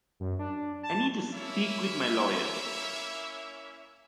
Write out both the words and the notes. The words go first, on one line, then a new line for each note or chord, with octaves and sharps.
I need to speak with my lawyer.
F#2
D4
A5
A#3 C#4 E4 C#5 E5